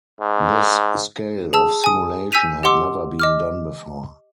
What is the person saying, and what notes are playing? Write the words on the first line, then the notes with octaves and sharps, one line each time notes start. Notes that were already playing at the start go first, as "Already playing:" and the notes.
This scale of simulation had never been done before.
G#2
G#4 A5 E6
G#5 D#6
G#5 E6 G6 B6 D#7 F7
G4 D#5 F#5 C6 D6 E6
D#5 D6 F6